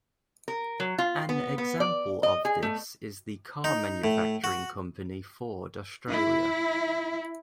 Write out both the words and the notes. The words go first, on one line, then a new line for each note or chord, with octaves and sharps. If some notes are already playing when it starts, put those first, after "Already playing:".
An example of this is the car manufacturing company Ford Australia.
A#4
F#3
F4
B3
B3
D5
D#5
G#4
A3
D#4
A2
F#4
E4